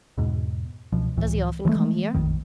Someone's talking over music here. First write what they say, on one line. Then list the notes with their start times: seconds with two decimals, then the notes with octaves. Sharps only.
"Does he often come here?"
0.17 E2 G#2 B2
0.92 C#2 B2 F3
1.17 C#2 A2 E3
1.65 E3 F3 G#3 A3
2.14 A#1 F2 D#3